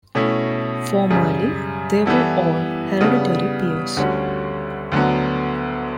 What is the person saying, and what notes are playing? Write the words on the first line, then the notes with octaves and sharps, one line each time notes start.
Formerly, they were all hereditary peers.
B2 A3 C#4 E4
F#2 C#3 G3
E3 G3 B3 E4 A4
C#3 G3 B3 D4
D2 D3 G3 C#4 F#4
D2 D3 F#3 B3